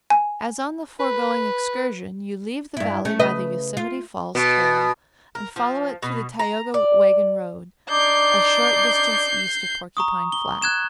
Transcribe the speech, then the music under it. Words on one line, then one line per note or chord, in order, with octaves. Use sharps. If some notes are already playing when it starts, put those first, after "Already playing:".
As on the foregoing excursion, you leave the Valley by the Yosemite Falls trail and follow it to the Tioga wagon-road, a short distance east of Porcupine Flat.
G#5
B4
G2 E4
A3 C#4
C#3 B4 D#5
F4
B2
A#4
F3
B2
A#5
D5
D4 D#4 D5 G6 C7
A#5 C#6 D#6
G7
F#6 G#6 E7